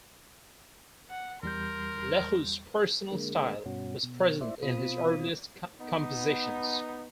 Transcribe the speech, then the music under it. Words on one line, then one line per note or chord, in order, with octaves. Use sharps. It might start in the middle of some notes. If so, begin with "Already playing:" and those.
Lekeu's personal style was present in his earliest compositions.
F#5
E2 G3 A#4 C6 G6
D3 G#3 A#3
G2 B2 C#4 F#4
B2
E4 C5 D5 E5
B2 C4 F4 B5 D#6
B3 D#4